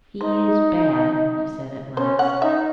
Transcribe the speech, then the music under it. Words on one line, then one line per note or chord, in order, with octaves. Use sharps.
"He is bad," he said at last.
D#4 C5
C#4 C5
C#4 F#5
D#4 E5